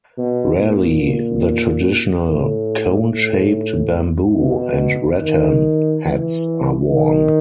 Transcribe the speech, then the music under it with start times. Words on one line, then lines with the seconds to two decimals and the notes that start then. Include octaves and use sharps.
Rarely, the traditional cone-shaped bamboo and rattan hats are worn.
0.18 B2
0.60 A#2
2.28 A2
3.12 A2
4.37 B2
5.22 D#3
6.06 E3
6.90 D#3